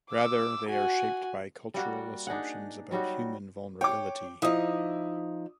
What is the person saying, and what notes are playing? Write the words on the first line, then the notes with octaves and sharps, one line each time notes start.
Rather, they are shaped by cultural assumptions about human vulnerability.
D6 E6
F#4 G#5
G3 A#3 F#4 F#5
D4 D#4 G#4 F#5
F#3 G3 D#4 F#4
C#5 G5 D6
F3 D#4 E4 D#6